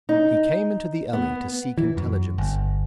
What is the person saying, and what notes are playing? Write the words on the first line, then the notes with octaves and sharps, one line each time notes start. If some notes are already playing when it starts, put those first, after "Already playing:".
He came into the alley to seek intelligence.
D#4
B3
E3
F#2
G1